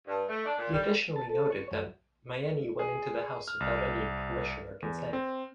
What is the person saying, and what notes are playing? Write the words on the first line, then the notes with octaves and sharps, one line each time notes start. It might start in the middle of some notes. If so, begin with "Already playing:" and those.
He additionally noted that Myeni went in the house without any permission or consent.
G2
A3
D4
A#2
G3
A5
A4
C#5
F#2
G#4
F6
C2
E2
C4